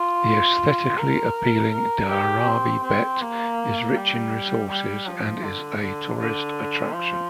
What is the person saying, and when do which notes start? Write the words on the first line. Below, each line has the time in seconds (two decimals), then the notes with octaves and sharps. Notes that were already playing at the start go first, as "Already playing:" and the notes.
The aesthetically appealing Dharavi Bhet is rich in resources and is a tourist attraction.
Already playing: F4
0.98 A#4
1.72 A#4
2.10 G4
2.46 C4
2.84 C4
3.22 A#3
3.96 G3
4.70 G3
5.07 F3
5.44 D3
5.81 D3
6.18 D3
6.93 F3